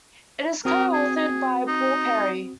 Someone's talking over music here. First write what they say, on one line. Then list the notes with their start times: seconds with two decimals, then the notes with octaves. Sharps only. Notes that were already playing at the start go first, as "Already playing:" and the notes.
It is co-authored by Paul Perry.
0.65 C4 F#4 A#4 D#6
0.93 G#4
1.16 G#4
1.68 D#4